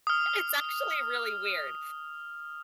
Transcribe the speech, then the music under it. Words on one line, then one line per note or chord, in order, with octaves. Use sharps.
It's actually really weird.
D#6 F6